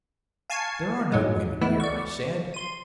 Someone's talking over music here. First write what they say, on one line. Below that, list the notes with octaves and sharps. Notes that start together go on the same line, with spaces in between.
'There are no women here,' I said.
F5 G#5 A5 C#6 G#6 C7
G#2 F#3 G#3
E3 G#3 A3 B3 E4
D5 C#6
C6 D#7